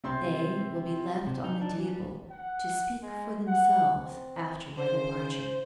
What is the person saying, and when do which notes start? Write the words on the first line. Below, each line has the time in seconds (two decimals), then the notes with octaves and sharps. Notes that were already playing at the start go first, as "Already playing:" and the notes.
They will be left on the table, to speak for themselves after my departure.
0.04 C3 C4 C6
1.27 C3
1.44 D#4
1.61 D4
1.73 E3
1.88 G3
2.30 F#5
3.03 G#3
3.48 F#5
4.00 C4
4.76 C#3 C5